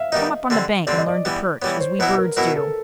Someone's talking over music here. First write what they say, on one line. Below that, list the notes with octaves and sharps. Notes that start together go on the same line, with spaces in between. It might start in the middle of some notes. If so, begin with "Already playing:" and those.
Come up on the bank and learn to perch, as we birds do.
Already playing: E5 F5
D#3 G3 B3 D#4 D#5
D3 G3 C4
D3 G3 C4 D5
D#5
D5
E3 G3 B3
E3 G3 B3 C#5
C5
B2 F#3 B3 E4 B4
A#4
B2 F#3 B3 E4 A#4
A4